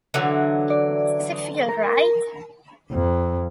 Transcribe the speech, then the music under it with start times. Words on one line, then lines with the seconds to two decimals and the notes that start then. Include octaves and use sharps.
Does it feel right?
0.14 D3 E3 F#3
0.70 D5
1.69 A#4
2.92 F2